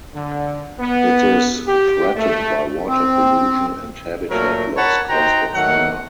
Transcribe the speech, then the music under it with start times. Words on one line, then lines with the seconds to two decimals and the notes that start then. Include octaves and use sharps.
It is threatened by water pollution and habitat loss caused by fire.
0.14 D3
0.80 B3
1.67 G4
2.16 A3
2.88 C4
4.31 A#2 F#3 A3 A#4
4.77 A#4 C#5 F#5 A5 B5
5.09 D#4 F#4 C5 G5 A#5
5.54 D#3 F#3 A3 F#5